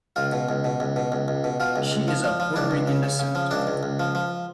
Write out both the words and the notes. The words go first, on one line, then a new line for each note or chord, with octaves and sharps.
She is of Puerto Rican descent.
C#2 F4
B2
C#2
B2
C#2
B2
C#2
C#2
B2
B2 F4
C#2
C#2
F3
F3
F3
C#2 D4
C#2
C#3
C#3
C#3
F3
C#2 D4
C#2
C#2
F3
F3